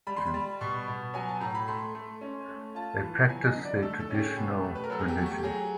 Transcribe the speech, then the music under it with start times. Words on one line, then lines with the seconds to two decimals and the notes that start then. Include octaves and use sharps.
They practice their traditional religion.
0.07 G3 B5
0.16 C6
0.26 B5
0.34 G3
0.61 B2 C#6
0.88 B2
1.14 F#3 G#5
1.28 A5
1.40 A2 A#5
1.55 B5
1.68 A3 C6
1.95 A3
2.21 C#4
2.48 A3
2.75 F4 A5
3.03 E3
3.29 F#3 G#5
3.46 D#5
3.56 D3
3.65 D5
3.82 A3 A4
4.00 A4
4.10 C#4 G4
4.18 G#4
4.37 B2 G4
4.64 A3
4.75 B4
4.84 A#4
4.90 F#3 A4
4.99 G#4
5.08 G4
5.17 A3 F#4
5.26 G4
5.38 G4
5.43 F#3 G#4